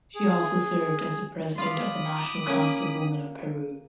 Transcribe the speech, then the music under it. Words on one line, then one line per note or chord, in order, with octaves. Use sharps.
She also served as the president of the National Council of Women of Peru.
G#4
F4 F5 B5 D6 D#6
A#3 C#4